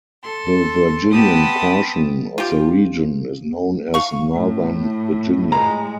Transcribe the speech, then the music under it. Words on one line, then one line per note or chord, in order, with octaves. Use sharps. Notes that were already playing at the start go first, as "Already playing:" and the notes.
The Virginian portion of the region is known as Northern Virginia.
A4 C6
B3 C4 G4 A5 B5 D#6
F4 G4
F5 C#6
A2
G#3 A#5